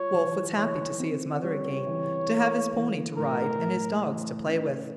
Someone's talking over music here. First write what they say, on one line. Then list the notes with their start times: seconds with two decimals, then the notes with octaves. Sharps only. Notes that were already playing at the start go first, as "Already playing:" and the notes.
Wolfe was happy to see his mother again, to have his pony to ride and his dogs to play with.
Already playing: G3 F4 C#5
0.14 E3
0.57 E3 C#5
1.00 C4
1.43 G3 C#5
1.86 E3
2.30 A3
2.73 E3
3.16 A2 A#4
3.60 A2
4.03 E3
4.46 C#4